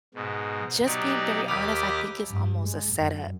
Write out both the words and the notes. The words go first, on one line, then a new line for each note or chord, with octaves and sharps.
just being very honest, I think it's almost a set-up.
G#2 B2
B2 F#3 D#4 G4 D5
D#2 G4 B5 D6 D#6 F6
G2
G#3
F#2